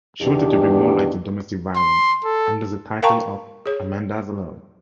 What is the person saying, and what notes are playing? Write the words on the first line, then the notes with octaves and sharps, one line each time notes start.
She wanted to bring more light to domestic-violence, under the title of Amanda's Law.
E2 B2 D#3 D4 G4
C6
A4
A#4 F5 G5 A5 A#5 C#6
G#4 C#5